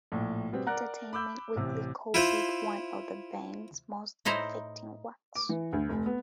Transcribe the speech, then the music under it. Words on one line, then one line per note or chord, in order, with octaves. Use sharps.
"Entertainment Weekly" called it "one of the band's most affecting works".
A#1 A2
B2 G3 B3 C4
A#4 D5 F#5 A#5 F#6
B5 D6 E6 G6
A1 C3
E4 F4 C5
A2 D#4 E4 C5 A#5
D6
E3
D2
F1
B3